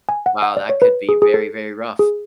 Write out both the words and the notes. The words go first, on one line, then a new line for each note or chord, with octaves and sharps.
wow, that could be very, very rough.
G#5
F#5
F#5
D5
C#5
B4
G#4
G#4
A4
G#4